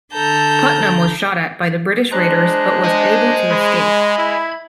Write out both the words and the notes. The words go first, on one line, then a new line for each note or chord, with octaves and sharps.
Putnam was shot at by the British raiders but was able to escape.
D3 A4 A#5 G6
G#3 D4 C5 A#5 F#6
G#4 D#5
G#3 B5 G#6
E4